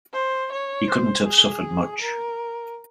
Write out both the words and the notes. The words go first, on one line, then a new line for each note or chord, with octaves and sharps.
He couldn't have suffered much.
C5
C#5
C5
G#4
A#4